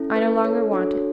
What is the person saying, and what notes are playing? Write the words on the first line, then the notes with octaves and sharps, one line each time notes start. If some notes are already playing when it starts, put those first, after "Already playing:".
I no longer want it.
Already playing: C#4 E4 A4
B4
A4 C#5
D4 F#4 A4